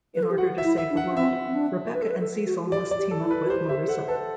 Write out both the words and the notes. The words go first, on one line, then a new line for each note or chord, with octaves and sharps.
In order to save the world, Rebecca and Cecil must team up with Marissa.
B4
A4
G4
F#4 F#5
E5
E4
E5
D4
F#5
D4
C4 E5
C4
D4
B4
A4
B4
A4
F#4
F#4
G4 D5
D5
G4
A4
E4
B4
F#4
G4 C5
G4 E5
G4
A4 F#5
A4 B4